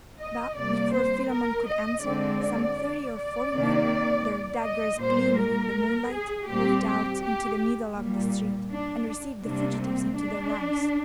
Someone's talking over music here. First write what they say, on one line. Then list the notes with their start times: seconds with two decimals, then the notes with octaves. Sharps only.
But, before Philammon could answer, some thirty or forty men, their daggers gleaming in the moonlight, moved out into the middle of the street, and received the fugitives into their ranks.
0.19 D#5
0.56 C3 G3 A#3 D5
0.93 C5
1.31 A#4
1.67 D#5
2.04 D3 G#3 C4 D5
3.16 D5
3.53 C3 D#3 A#3
4.63 D#5
5.00 A#2 G3 A#3 C5
5.37 A#4
6.11 G#4
6.48 A#2 G3 C4 G4
6.85 G4
7.22 G4
7.97 A#2 G3 A#3
8.70 D4
9.44 C3 G3 A#3 D4
9.82 C4
10.18 D4